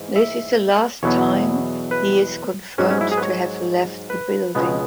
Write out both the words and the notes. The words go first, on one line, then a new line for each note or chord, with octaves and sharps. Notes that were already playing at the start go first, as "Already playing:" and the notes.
This is the last time he is confirmed to have left the building.
Already playing: G#2 E3
E5
E2 B2 F#3 B3 C#5
B4
G#2 F#3 C#4
C#4
E4
G#4
B4
C#5
B4
C#2 B2 G#3 B3